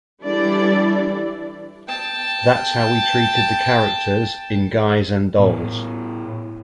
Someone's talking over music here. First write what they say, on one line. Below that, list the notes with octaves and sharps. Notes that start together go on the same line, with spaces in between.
That's how we treated the characters in "Guys and Dolls".
E3 G3 D4 E4 A4 D5
G5 A5
A2 B3